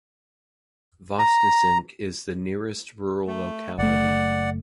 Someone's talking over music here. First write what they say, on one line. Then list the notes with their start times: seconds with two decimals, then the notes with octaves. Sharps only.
Voznesensk is the nearest rural locality.
1.19 A#5
3.27 A3
3.78 F#1 A3 D5 F#5